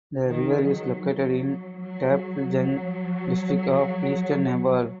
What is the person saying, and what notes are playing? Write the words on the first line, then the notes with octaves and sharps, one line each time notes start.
The river is located in Taplejung district of eastern Nepal.
D#3
F#3
F#3
F#3
F#3